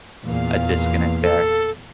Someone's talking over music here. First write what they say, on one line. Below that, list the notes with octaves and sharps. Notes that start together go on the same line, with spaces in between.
a disconnect there.
E2 A#2 F5
A4